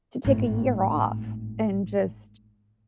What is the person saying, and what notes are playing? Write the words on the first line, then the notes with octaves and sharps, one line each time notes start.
to take a year off, and just,
G#1 A2